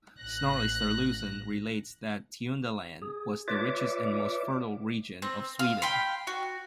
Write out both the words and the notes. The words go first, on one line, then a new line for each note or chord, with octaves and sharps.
Snorri Sturluson relates that Tiundaland was the richest and most fertile region of Sweden.
A1 F#6 A#6
G#4
F4 B4 C#5 D5 E5 D6
C4
F5
G5 B5 C6
F#4